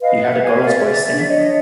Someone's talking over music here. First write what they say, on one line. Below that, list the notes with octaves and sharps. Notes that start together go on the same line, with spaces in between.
You heard a girl's voice singing?
B4 D#5 F5
E5 F#5
B4
F#5 G#5
A#4
F5
A#4 D5 E5
G#4
D4
D4 C#5 D#5